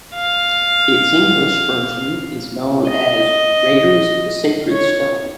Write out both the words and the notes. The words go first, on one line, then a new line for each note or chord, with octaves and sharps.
Its English version is known as "Raiders of the Sacred Stone".
F5
D#5
C#5